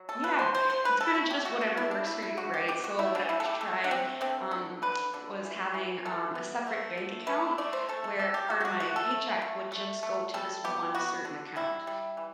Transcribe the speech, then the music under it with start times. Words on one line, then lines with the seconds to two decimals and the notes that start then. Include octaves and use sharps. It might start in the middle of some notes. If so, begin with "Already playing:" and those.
Yeah. It's kinda just whatever works for you, right? So what I've tried, um, was having, um, a separate bank account where part of my paycheck would just go to this one certain account.
Already playing: F#3
0.09 A4
0.24 B2 B4
0.39 C5
0.55 D3 C5
0.70 C5
0.84 D3 B4
1.00 A4
1.15 A3
1.31 G4
1.45 A3 F#4
1.61 F#4
1.77 F#3 E4
1.91 D4
2.07 D3 E4
2.22 E4
2.37 D3 F#4
2.54 G4
2.68 B3 G4
2.84 F#4
2.99 A3 E4
3.15 D4
3.29 D3 E4
3.40 A4
3.45 G4
3.61 A3 A4
3.84 D4
3.91 D3 C4
4.21 D3 C4
4.51 D3
4.82 D3 B4
5.14 D3
5.44 E3
5.74 E3
6.05 E3 A4
6.35 B3
6.67 A3
6.97 D3
7.27 A3 B4
7.58 A3 D5
7.73 C5
7.89 A3 A4
8.04 A4
8.19 C3 A4
8.34 G4
8.50 C3 F#4
8.60 G4
8.65 F#4
8.80 A3 F#4
8.96 A4
9.11 A3
9.42 A3
9.72 A3
10.03 A3
10.34 G3 A4
10.64 B3 G4
10.95 B3 F#4
11.25 D3
11.56 G3 E4
11.87 G3
12.17 E3